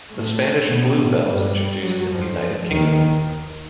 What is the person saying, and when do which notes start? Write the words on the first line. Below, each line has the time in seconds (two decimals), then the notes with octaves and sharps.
The Spanish bluebell was introduced in the United Kingdom.
0.12 A2 A3
0.69 B2 B3
0.98 A2 A3
1.27 G2 G3
1.84 F#2 F#3
2.12 F2 F3
2.69 D#2 D#3